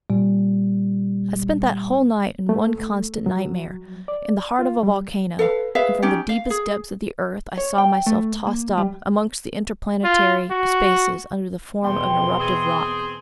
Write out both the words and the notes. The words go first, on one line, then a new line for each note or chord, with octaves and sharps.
I spent that whole night in one constant nightmare; in the heart of a volcano, and from the deepest depths of the earth I saw myself tossed up amongst the interplanetary spaces under the form of an eruptive rock.
A#2 G3
A3
F#3
D5
F4
G3
A4 B4 F5
G#4 B4 E5 F5
C#4 D#4 G4
F5
G#4
C#5
G5
A3
A#3
G3
F4
F#4
E2 B2 G5 C6
C4 G#4